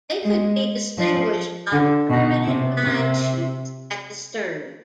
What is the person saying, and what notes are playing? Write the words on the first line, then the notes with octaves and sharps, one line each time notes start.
They could be distinguished by the permanent mine chutes at the stern.
G#3
F3
D3
B2
C3
C3